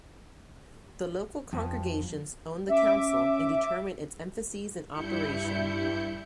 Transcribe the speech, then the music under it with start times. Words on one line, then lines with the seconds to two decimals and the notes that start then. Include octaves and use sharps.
The local congregations own the Council and determine its emphases and operation.
1.53 F2
2.68 C#4 E5 D6
4.90 G2 E4 G6 C#7